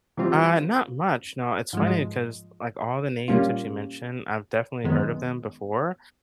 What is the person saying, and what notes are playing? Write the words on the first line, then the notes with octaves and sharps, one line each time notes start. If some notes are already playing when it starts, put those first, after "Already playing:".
Uh, not much. No, it's funny, 'cause, like, all the names that you mentioned, I've definitely heard of them before,
C3 E3 G3 C4 F4
G#2 F3 G#3
A#2 G3 A#3 C#4 F4
F#2 D#3 G#3 B3